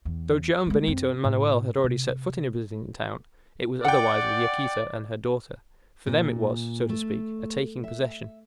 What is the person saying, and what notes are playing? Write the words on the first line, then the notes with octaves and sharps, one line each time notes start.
Though Joam, Benito, and Manoel had already set foot in a Brazilian town, it was otherwise with Yaquita and her daughter; for them it was, so to speak, a taking possession.
E2
G#3 A3
F#2 C4
A2
C3
D5 F#5 G5
A#2
A3
E5